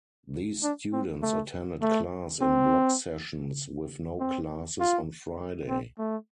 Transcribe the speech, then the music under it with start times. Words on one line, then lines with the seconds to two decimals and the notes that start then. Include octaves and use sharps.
These students attended class in block sessions with no classes on Friday.
0.63 D4
0.93 C4
1.23 A3
1.82 A3
2.42 C4
4.20 C4
4.80 F4
5.69 C4
5.99 A3